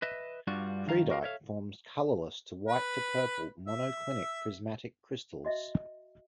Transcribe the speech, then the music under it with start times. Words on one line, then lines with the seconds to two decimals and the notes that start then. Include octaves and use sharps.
Creedite forms colorless to white to purple monoclinic prismatic crystals.
0.02 B4 D#5 E5
0.47 G2 G3 D4 F4 F#4
0.87 G2 D#3 F5 A#5
1.10 F#4 A#4 F5
1.22 A4 C#5 E5 F5
2.68 B4
3.68 E5
5.45 F#4 D#5 E5